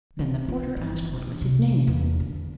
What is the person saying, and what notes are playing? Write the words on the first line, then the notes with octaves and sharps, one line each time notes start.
Then the porter asked what was his name.
D#4
F4
G1
D4
C3
E2
D3